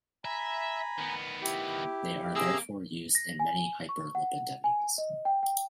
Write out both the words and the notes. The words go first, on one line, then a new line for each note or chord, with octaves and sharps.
They are therefore used in many hyperlipidemias.
E5 G#5 A#5 B5
D#3 B3
E4 G4
C3 A#3 G#4 E6
A#6
G#5
C#6
F#5
G#5
D#5
G5
G5